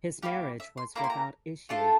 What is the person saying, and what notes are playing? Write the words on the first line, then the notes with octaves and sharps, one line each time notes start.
His marriage was without issue.
A#3 E4 G4 F5
E5
C6
A#3 E4 G4 A#5
C6
A#5
A3 D4 F4 A4 A5